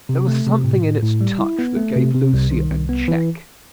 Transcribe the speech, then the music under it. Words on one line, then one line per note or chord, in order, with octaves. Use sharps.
There was something in its touch that gave Lucie a check.
C3
A3
C3
A2
A2
A2
G3
E4
B3
A3
C3
C3
C2
D#3
C2
B3
E3